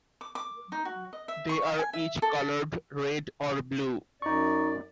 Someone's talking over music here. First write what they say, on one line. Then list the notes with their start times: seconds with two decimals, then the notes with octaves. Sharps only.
They are each coloured red or blue.
0.21 D6
0.35 D6
0.72 D#4
0.85 F#4
1.13 D#5
1.28 E5
1.49 C#6
1.62 F5
1.79 G#5
1.93 E5
2.22 A4
4.22 F#2 D#4 D5 C#6